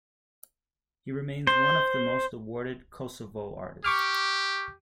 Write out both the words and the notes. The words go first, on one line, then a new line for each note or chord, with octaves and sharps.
He remains one of the most awarded Kosovo artists.
C5
G4 C#6 D6 F6